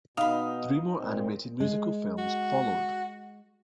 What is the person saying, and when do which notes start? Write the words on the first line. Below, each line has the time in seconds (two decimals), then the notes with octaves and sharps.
Three more animated musical films followed.
0.17 B2 D#4 F5 B5 D#6
0.99 A#2 C4
1.60 G#3
2.18 F#4